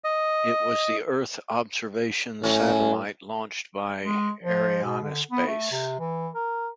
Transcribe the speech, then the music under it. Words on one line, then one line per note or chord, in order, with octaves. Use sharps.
It was the Earth observation satellite launched by Arianespace.
D#5
A2 F#3 C#4
G#3
F3
B2
D3
B3
A3
C3
E3
A#4